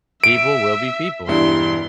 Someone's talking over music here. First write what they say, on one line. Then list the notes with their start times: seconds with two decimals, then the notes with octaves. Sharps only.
People will be people."
0.24 E5 D7
1.28 E1 G2 E4 C6